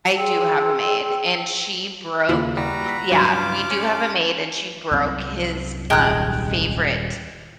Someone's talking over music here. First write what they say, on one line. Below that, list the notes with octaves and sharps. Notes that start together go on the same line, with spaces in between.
I do have a maid, and she broke eh Yeah, we do have a maid, and she broke his, um, favorite
F4 G#4 G5 E6
D#2 C#3 A#3 E4 F4
G3 F#4 B4 A#5
E6 B6
C#2 G2 E3 F#3 F4 F#4 F5 D6
C#4
C2 F#2 C4
D#1 G#3 G5 F#6